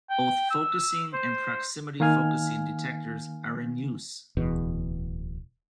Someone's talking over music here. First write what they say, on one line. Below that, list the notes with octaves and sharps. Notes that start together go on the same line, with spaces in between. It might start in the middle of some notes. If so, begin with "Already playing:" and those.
Both focusing and proximity-focusing detectors are in use.
G5
E6
C5
D#3 A#3 F5 G#5 F6
D1 E2 B2